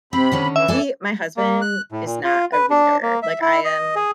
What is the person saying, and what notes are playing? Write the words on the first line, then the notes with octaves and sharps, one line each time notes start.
He my husband is not a reader. Like, I am
C3 C4 B5
D3 D#3 C#4
E3 E5
E3 A4 D5 G#5
A#3
F#6
A2
A#2
F4
B4
D4
A#3
E5
E4
D#5
G#4